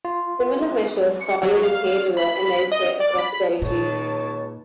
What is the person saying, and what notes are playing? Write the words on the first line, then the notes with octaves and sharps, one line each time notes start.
Similar measures followed in Hay River and elsewhere across the Territories.
F4
C#7
F#3
F5
B5
D#5
D5
B5
C#2 A#2 D#3 C#5 A5